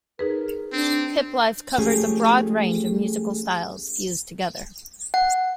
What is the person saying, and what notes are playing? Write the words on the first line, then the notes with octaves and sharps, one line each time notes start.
Hiplife covers a broad range of musical styles fused together.
D#4 G#4 A#4 B4
C4 D4
F3 A3 C#4 G4 G#4
F#5